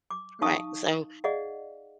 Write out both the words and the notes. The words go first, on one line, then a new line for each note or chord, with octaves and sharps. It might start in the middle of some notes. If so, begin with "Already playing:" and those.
Right, so,
D6
D#4 F5 A5 C#6 D#6
G#4 D5 D#5 F5 F#5